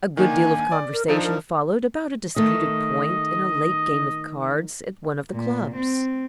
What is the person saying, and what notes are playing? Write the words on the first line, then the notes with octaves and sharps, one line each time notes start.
A good deal of conversation followed about a disputed point in a late game of cards at one of the clubs.
D#3 A#3 D4 G#5
D5
A#4
F3 D4 D#4 A4
A#4
D#3 A3 D#5
A#2
C4